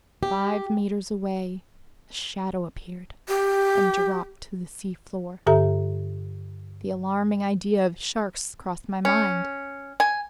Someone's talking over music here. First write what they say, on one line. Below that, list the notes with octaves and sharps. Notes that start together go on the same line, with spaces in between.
Five meters away a shadow appeared and dropped to the seafloor. The alarming idea of sharks crossed my mind.
G4
G4
G2 D3 G4 A4 E5 A#5
C#4
G#5